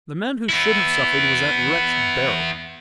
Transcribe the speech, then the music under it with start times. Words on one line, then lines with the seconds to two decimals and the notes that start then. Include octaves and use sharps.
"The man who should have suffered was that wretch Beryl."
0.49 B3 E4